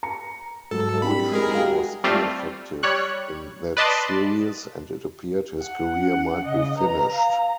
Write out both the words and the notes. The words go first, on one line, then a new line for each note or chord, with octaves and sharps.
Reuschel was ineffective in that Series, and it appeared his career might be finished.
A#5 C#7
G#2 F#3 A4
A#3 C4 D4 E4 G4 B5
G#3 G#4 A#4
F#4 G4 F5
G3 A3 C4 F4
G3 C#5 F#6
B4 D5 D#5 A5 C6
F#5
C#4
C#3 D#5
B4 A#5
F5